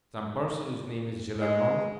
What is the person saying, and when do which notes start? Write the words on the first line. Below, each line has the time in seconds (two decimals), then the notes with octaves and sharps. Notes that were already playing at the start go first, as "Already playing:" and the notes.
"Some person whose name is Gillenormand?"
1.40 G#3